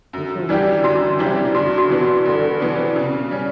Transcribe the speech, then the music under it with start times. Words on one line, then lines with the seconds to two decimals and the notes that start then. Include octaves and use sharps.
This was achieved by reducing the fall along the leat.
0.13 F#2
0.49 E3 G3 D4 G4
0.84 F#2 F#4
1.19 E3 G3 D4 G4
1.54 G2 F#4
1.78 F#4
1.90 E3 B3 D4
2.02 F#4
2.25 G2
2.60 E3 B3 D4
2.96 C#3
3.31 G3 C#4